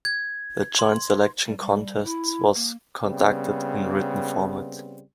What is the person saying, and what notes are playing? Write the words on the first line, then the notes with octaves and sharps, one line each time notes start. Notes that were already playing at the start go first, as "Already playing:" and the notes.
The Joint Selection Contest was conducted in written format.
G#6
C6
G3
G3
E4
A#3
C#3 G3 B3 C4